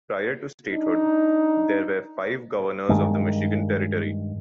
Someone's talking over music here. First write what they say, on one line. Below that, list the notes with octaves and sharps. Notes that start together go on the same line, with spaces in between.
Prior to statehood, there were five governors of the Michigan Territory.
D4 D#4
G2 D#3 G#3